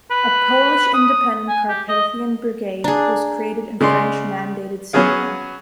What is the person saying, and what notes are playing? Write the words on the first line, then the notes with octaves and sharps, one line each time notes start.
A Polish Independent Carpathian Brigade was created in French-mandated Syria.
B4
D#6
G#5
G4
D#5
D4 G#4 A#5
C#3 G#3 D5 C6
F#3 B3 C#4 G#4 F5